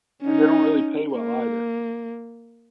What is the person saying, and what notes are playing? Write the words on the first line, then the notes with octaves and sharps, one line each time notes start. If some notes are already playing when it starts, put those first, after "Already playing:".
And they don't really pay well either.
C#4 D#4
A#3